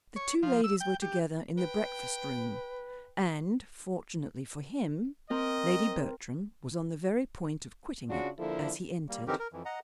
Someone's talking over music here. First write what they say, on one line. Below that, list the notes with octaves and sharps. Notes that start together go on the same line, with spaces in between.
The two ladies were together in the breakfast-room, and, fortunately for him, Lady Bertram was on the very point of quitting it as he entered.
C#5
F3
E6
G5
G4
B4 G5
C4 A#4 D#5
C#3 D4 F4 F#4
D3 F3 A#3 E4 A4
G3 A#3
D3 E3 C4 D#4 G4 A#4
A#4
F2 E3
D#5 F#5 A#5